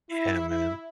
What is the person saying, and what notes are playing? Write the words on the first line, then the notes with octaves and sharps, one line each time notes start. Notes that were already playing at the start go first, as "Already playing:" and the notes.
Yeah, man.
E4
E4